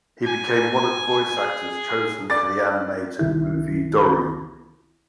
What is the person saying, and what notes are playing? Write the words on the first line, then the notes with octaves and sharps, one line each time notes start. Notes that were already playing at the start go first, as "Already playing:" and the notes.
He became one of the voice actors chosen for the animated movie "Doru".
G#5
G#4
D5 D6 A6
C2 D#3 E4